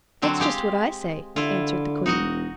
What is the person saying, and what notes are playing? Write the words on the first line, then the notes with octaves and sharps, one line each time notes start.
"That's just what I say," answered the queen.
D3 F#3 C4
G#3 G4 F5
D3 E4 F4
E1 D#4 F#4 D#5